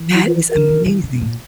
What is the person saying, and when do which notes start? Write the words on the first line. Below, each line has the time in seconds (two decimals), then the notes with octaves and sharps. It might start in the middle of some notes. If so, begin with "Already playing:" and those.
That is amazing.
Already playing: E3
0.15 E4
0.27 F4
0.51 A#4
0.56 E3
0.69 C#3
0.86 E3
1.03 C#3
1.21 A#2